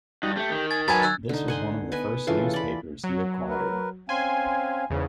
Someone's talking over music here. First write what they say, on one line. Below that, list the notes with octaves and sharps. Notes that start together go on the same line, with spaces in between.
This was one of the first newspapers he acquired.
G2 D#4 F#4
A3 G4
D#3
G#5 A6
F#3 B4 G#5 A5 G#6 A6
E6 F#6 A6
D3 D#4
F#5 G#5 C6
B3 B4 D#5 G#5
C#3 E3 F4 A4
D5 B5
F#3
A#4 B4
C4 C#4 F5 G#5 C6
E2 G#2 C#3 E3